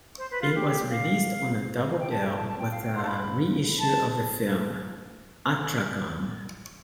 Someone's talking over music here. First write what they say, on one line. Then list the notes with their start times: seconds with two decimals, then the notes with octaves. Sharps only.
It was released on a double bill with a reissue of the film "Atragon".
0.18 C5
0.30 B4
0.41 F4
0.55 G4
0.90 F5
1.99 G5
2.10 A5
2.22 G5
2.35 A5
2.47 A5
2.59 G5
2.71 F5
2.83 G5
2.95 C6
3.03 A5
3.07 B5
3.79 A5